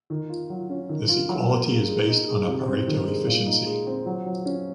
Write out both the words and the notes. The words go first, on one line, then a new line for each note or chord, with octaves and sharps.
This equality is based on a Pareto efficiency.
D#3
F4
F#3
C#4
D#3
F4
F#3
A#3
G#3
G#3
D#4
G#4
C3
C4
D#3
G#3
A#2
D#4
G#3
C4
F#3
F#3
C#4